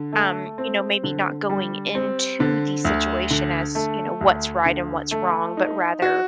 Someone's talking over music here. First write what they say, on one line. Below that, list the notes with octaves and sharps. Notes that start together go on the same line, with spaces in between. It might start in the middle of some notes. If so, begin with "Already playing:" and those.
um, you know, maybe not going into the situation as, you know, what's right and what's wrong, but rather,
Already playing: D3
A3
C4
D3
G3
C4
D3
D2
D3
A3
D2
D3
A3
D#4
F#4